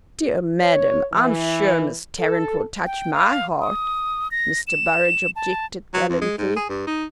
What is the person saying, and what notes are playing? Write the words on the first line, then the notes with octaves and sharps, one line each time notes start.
"Dear madam, I'm sure Miss Tarrant will touch my heart!" Mr. Burrage objected, gallantly.
C#5
E3
A4
G5
F5
D#6
A#6
E7
A5
F#3
F2
G#3
G#2
G#4
G2
D#4